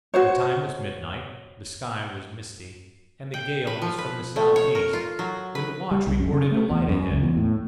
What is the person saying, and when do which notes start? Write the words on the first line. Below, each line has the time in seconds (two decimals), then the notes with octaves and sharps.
The time was midnight, the sky was misty, and the gale was from the south-east, when the watch reported a light ahead.
0.14 F#4 C5 C#5
3.34 G5
3.67 B4
3.82 F3
3.98 B4
4.36 A3
4.56 C#5
4.75 A#4
4.93 F4
5.19 F#3
5.55 B4
5.91 G3
6.07 C2
6.20 F#2
6.33 C#3
6.51 A3
6.70 E2
6.89 F#2
7.10 C#2
7.23 E2
7.37 A2